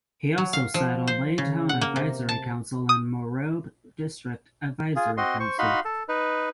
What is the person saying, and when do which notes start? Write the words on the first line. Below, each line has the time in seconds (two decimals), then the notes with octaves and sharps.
He also sat on Lae Town Advisory Council and Morobe District Advisory Council.
0.38 F#3
0.53 F5
0.74 F3
1.07 C5
1.38 C#3
1.69 F#5
1.81 A#3
1.96 C3
2.29 A5
2.89 D#6
4.96 F4 G#4
5.17 C4 F#4 D#5 C6
5.40 C5 C#6
5.59 D#4 F#4 F5 B5 C6
5.85 A4
6.09 D#4 B4